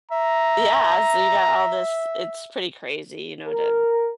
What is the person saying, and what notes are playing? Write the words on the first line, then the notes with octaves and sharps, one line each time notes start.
Yeah. So you got all this it's pretty crazy, you know, to
E5 A#5
A#4